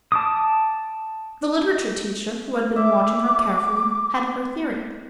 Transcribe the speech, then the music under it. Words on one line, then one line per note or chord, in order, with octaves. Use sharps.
The literature teacher, who had been watching her carefully, had her theory.
A5 D6 D#6
E5 D6